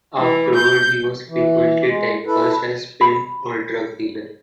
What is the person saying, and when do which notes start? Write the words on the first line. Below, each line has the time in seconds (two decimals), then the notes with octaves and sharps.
Afterward, he was frequently typecast as pimp or drug dealer.
0.18 E3
0.54 G6
1.29 E3
1.86 G#3
2.26 E4 A4 B4
3.01 B5